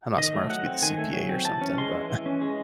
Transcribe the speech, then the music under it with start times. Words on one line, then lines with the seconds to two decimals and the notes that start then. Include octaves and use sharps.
I'm not smart enough to be the CPA or something, but
0.17 D#3 D#5
0.34 A3
0.49 F#3 F#5
0.66 C4
0.82 D#3 G#5
0.98 A3
1.13 F#3
1.29 C4
1.45 E3 A5
1.61 C#4
1.78 G#3 C6
1.93 E3
2.10 E3
2.26 C#4
2.41 G#3